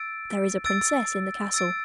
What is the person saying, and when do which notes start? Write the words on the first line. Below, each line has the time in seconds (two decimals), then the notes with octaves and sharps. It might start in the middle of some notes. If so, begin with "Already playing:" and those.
'There is a princess in the castle.
Already playing: E6 A6 D7
0.65 E6 A6 D7
1.54 E6 A6 D7